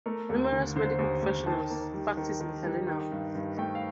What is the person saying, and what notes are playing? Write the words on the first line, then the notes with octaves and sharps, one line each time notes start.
Numerous medical professionals practice in Helena.
A3 A#4
D#2
D3
D3 C5
D#2
D#2
D#3 A5
A#3
G3
D#3
D#3
G3
D#3
G2
G2
A3 G5
F5